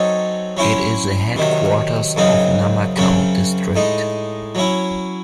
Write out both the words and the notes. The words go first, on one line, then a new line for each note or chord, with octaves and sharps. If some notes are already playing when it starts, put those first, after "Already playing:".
It is the headquarters of Namakkal district.
Already playing: F#3 C4 D#4 A4 C#5
F#3 C#4 E4 C5
C3 D#3 F#3
F#2 C#3 F#3 C4 D#4
F#2 C#3 F#3 C4
A2 G#3 D#4
F#3 C#4 E4